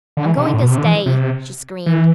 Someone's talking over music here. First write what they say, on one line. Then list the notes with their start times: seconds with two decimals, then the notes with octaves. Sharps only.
"I'm going to stay!" she screamed.
0.17 D3
0.26 E3
0.37 C3
0.46 D3
0.53 A2
0.62 B2
0.70 C3
0.78 D3
0.85 E3
1.06 C3
1.86 E3